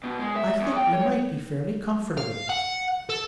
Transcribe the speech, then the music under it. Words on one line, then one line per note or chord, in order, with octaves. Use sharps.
I think we might be fairly comfortable.'
B2
G#3
E5
E2
G5
C#5
F5
F#5
A4